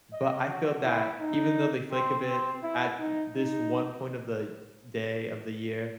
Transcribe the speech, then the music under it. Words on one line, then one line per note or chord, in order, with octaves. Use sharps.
but, I feel that even though they flake a bit at u this one point of, like, day of the year,
D#5
F#4
E4
D#4
C4
C4
E4
D#4
D#4